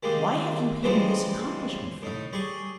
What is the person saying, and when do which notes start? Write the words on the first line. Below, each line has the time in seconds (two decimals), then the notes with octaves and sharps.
Why have you hidden this accomplishment from me?
0.03 D#3 G3 G#3 A#3
0.83 C#3 E3 F3 G3 G#3 C4
2.02 A2 D#4
2.33 G3 G#4 C#6